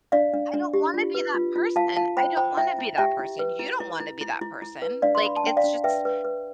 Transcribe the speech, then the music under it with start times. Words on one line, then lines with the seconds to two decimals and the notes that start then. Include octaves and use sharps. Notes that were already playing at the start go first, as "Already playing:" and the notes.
I don't wanna be that person. I don't wanna be that person, you don't wanna be that person, like, it's just
0.12 D4 D5 F5
0.34 D4
0.54 D4
0.74 G4
0.94 F4
1.15 B4
1.35 F4
1.56 F4
1.76 F4 F5 A5
1.96 F4 F5 A5
2.17 C5 G5 B5
2.37 C5 G5 B5
2.57 E4 E5 G5
2.79 E4
2.98 G4 E5 G5
3.19 E4
3.39 B4
3.59 E4
3.80 E4
4.00 E4
4.21 E4
4.41 E4
4.62 E4
4.82 B4
5.02 D4 D5 F5
5.15 C6
5.23 D4 B5
5.37 A5
5.44 D4 G5
5.57 D5 F5
5.64 D4
5.84 B4 E5 G5
6.05 B4
6.25 B4